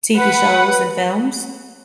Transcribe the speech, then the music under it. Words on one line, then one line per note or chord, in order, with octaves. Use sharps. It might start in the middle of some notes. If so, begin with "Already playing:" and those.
TV shows and films.
B4 F#5